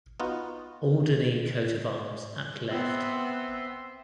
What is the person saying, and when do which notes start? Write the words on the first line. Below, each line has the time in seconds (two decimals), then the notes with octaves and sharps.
Alderney coat of arms at left.
0.20 B3 D#4 F4 F#4
2.70 B3 C4 E5 C6